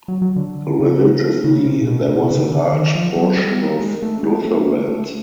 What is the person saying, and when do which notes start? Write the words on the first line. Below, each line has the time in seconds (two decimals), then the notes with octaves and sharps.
Religiously, there was a large portion of Lutherans.
0.08 F#3
0.22 F#3
0.36 D3
0.80 C#3
1.44 C#3
1.66 C3
1.81 A#2
1.87 B2
2.08 C3
2.31 C#3
2.52 D3
2.73 D#3
2.95 F3
3.16 F#3
3.37 G3
3.80 G#3
4.03 A3
4.23 G#3
4.45 A3
4.67 A#3
4.88 A3